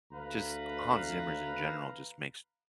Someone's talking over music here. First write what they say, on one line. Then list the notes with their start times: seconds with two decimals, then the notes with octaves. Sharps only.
just Hans Zimmer's in general just makes
0.11 D2 B4 F5 A#5